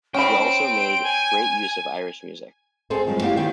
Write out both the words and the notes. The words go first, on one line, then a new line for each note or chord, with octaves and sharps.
He also made great use of Irish music.
C#4 G5 B5 C6 D7
G#5
C4 G#4 A4 C5
G2 F3 F#3 G#3
A#3 E4 G4 D5 F5 F#5
D#3 C4 C5